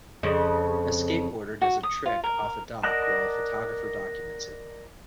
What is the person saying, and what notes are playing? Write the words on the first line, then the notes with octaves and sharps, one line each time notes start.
A skateboarder does a trick off a dock while a photographer documents it.
F2 C#3
F#4
D#6
F4
A#4
A#4 D5 D#5 F#5 A5